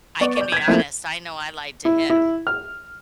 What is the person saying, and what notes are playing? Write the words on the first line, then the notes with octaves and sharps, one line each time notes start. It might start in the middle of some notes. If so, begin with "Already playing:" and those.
I can be honest. I know I lied to him
B3 D5 C#6
D5 G6
G#6 B6
F3 A3 A#3 C4 E4
E4
E4
F6